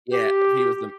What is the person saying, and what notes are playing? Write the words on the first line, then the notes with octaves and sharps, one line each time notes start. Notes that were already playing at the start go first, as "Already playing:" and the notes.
Yeah, he was the m
G4